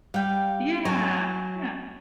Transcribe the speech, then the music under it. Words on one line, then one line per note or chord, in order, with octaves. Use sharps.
Yeah, yeah.
G3 F5 G5
F#3 C#5 G#5